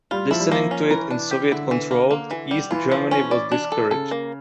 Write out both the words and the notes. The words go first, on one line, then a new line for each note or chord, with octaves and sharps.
Listening to it in Soviet-controlled East Germany was discouraged.
G3 F4
F3 E4
G3
F3 A#3
C#4
E3 A#4
D4
G4
D3 E4
E3
A#3
A#3
E3
G3
E3 F4
F3
C#4
D5
D4
A4
C#3 A4
A#3